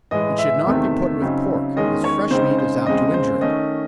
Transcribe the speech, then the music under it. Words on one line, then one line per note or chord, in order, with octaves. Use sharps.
It should not be put with pork, as fresh meat is apt to injure it.
A2 E3 G#3 D#5
E5
E2 C3 D#3 A3 C4
C#3 F#3 C4 D#4
E2 D#3 G#3 C#4 D#5
C#5
C#3 G#3 C4 D#4 C5
C5
E2 C#3 G#3 C4 D#5
C5
D#3 A3 C#4 D#5